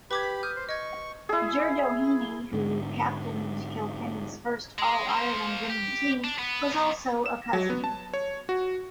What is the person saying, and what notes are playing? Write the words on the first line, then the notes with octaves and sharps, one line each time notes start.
Jer Doheny, who captained Kilkenny's first All-Ireland winning team, was also a cousin.
G4 B4 B5 D6 G#6
B6
D#6 F6 G6
C5
D#5 C#6 G#6
E4 G#4
G#2 D3
G#3
A#3 C5
G4
D4
B3
B1
E7
F#3
B3
A5
C#5
F#4